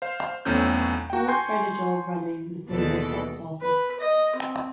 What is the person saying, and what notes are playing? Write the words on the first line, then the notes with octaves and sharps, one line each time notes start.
Pollock found a job running the Playhouse Box Office.
C5 F5
B1 E2 A3 C4 C#4 G6
F#4 G5
G#5 C6 C#6 G6
D#2 B2 E3 G#3 A4 D5
B4
D#5
C4